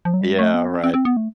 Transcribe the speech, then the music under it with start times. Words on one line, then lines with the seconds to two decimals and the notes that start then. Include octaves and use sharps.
Yeah, right.
0.05 F3
0.14 F#3
0.21 G3
0.31 G#3
0.39 A3
0.54 B3
0.69 C4
0.84 C4
0.94 C4
1.05 B3
1.17 A3